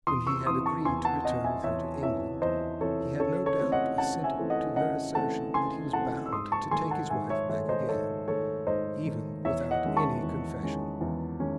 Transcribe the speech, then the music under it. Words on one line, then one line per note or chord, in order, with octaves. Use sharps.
When he had agreed to return with her to England he had no doubt assented to her assertion that he was bound to take his wife back again, even without any confession.
E2 C6 D#6
C#6 E6
C3 E3 C6 D#6
A5 C#6
E2 G#5 C6
F#5 A5
C3 E3 D#5 F#5
E5 G#5
E2 C#5 E5
C3 E3 C#5 E5
E2 C5 D#5
C3 E3 A4 C#5
C#3 A4 C#5
A4 C#5
E3 A3 C4
D#5 F#5
C#3 F#5 A5
E5 G#5
E3 A3 C4
D#5 F#5
C#3 D#5 F#5
E3 A3 C4 F#5 A5
C#3 G#5 C6
E3 A3 C4 F#5 A5
E6
G#2 C6 D#6
A5 C#6
D#3 A3 G#5 C6
F#5 A5
G#2 E5 G#5
C#5 E5
D#3 A3 C#5 E5
C5 D#5
G#2 A4 C#5
D#3 A3 A4 C#5
G#2 C5 D#5
D#3 A3
E2 C#5 E5
D#5 F#5
D#3 G#3 C#4
A5 C#6
E2
D#3 G#3 C#4
E2
D#3 G#3 C#4